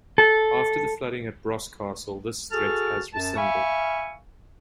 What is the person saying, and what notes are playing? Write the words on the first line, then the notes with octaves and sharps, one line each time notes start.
After the flooding at Boscastle, this threat was rescinded.
A4
F#4 G#4 A4 A5 F6
F#2 A5
E5 F5 G#5 B5 C#6